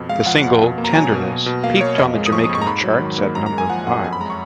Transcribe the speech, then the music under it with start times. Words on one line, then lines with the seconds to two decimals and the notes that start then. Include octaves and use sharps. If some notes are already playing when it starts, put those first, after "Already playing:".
The single "Tenderness" peaked on the Jamaican charts at number five.
Already playing: F2 B2
0.09 G#3 F5
0.26 F3 F#5
0.44 F2
0.61 B2
0.78 A#3
0.84 A#5
0.95 F#3 G#5
1.12 B2
1.29 B2
1.46 B2
1.64 A#3 F5
1.81 A#3 C#5
1.98 F2 D#5
2.15 G#3
2.26 D#6
2.32 F3 C#6
2.44 D#6
2.49 F2
2.55 C#6
2.61 A#5
2.66 G#2 B5
2.84 F#3
3.01 D#3
3.18 A#3
3.35 F#2 A#5
3.46 A#5
3.52 G#3
3.58 G#5
3.69 F3 F#5
3.87 F#2 F#5
4.04 F2 G#5
4.13 B5
4.21 G#3 A#5
4.30 C#6